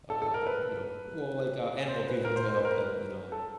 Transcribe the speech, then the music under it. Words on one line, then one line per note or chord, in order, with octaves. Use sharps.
uh, you know well, like, uh, animal people to help them, you know,
A4
A4
A#4
B4
C5
B4
A#4
C5
C5
B4
A#4
B4
A4